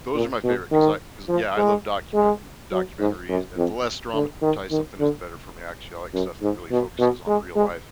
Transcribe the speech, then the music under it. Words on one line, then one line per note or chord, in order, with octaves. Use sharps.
Those are my favorite 'cause I 'cause yeah, I love document documentaries, and the less dramatized something is, the better for me, actually, I like stuff that really focuses on real life.
A#2
B2
D#3
F3
G#3
G#3
F#3
G#2
F#2
F2
D3
D#3
D#3
D3
F#2
G#2
B2
B2
G#3
G#3